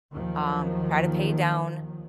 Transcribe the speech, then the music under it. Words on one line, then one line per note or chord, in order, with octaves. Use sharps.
Um, try to pay down,
D#2 D#3 F3 F#3